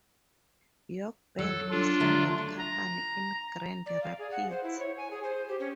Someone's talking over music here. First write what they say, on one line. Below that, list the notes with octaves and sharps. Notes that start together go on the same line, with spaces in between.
York Band Instrument Company in Grand Rapids.
F#3 A4
D4 F4
D3 F#3 A3
A#5
D5
F5
G#4
F#5
C5
E4
C#5
G#5
G#4
C5
G4
C#4